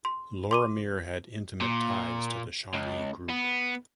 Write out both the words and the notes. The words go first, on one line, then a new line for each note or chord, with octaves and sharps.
Lorimier had intimate ties to the Shawnee group.
C6
C6 D6 D#7
A#2
C#2
B3